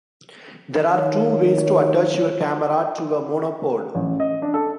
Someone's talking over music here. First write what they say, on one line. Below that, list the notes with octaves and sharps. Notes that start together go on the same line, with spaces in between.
There are two ways to attach your camera to a monopod.
D#3 C#5
A1
D#5
D4
A4